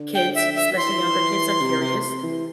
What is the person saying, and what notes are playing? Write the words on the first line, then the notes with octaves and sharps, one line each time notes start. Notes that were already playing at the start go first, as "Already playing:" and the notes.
kids, especially younger kids, are curious.
Already playing: D3
G5
E5
E5
F#3
E3 C6
E3
C3
C3
E3